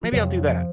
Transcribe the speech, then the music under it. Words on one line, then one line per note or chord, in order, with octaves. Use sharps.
Maybe I'll do that.
F3
F2 C3 F#3
F3